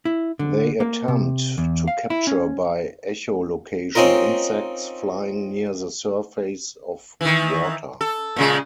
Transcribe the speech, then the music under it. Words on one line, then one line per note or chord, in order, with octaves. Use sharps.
They attempt to capture by echolocation insects flying near the surface of water.
E4
D3
A#3
C3
E2
F5
E4
C#4
C4 C#4 D#4 F4 A#4
D#3 E3
A4
A#2 C#3 G#3